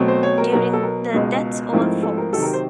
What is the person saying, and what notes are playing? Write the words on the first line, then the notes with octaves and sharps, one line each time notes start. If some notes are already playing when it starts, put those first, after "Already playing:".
During the That's all, Folks!
Already playing: B2 F#3 A3 C4
C5
C#5
A#4
B2 F#3 B3 A#4
A4
A#4
C#2 B2 G#3
G#2 F3 A3 C4 E4 A#4
A4
A#4
C3 D#3 F#3 A4
A#4
C5